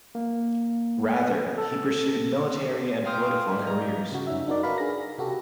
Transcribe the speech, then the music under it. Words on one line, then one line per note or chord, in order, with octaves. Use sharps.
Rather, he pursued military and political careers.
A#3
A4
F5 G5 C6 D#6 F6 G6
G#2 G3
A#5
C#3 F#4
F#2 C#4 D#4 E5
D4 D#4 F#4 A#4 D5
D4 F#4 A#4 B4 F5 B5
G#4 A#6
C3 F#4 G4 A4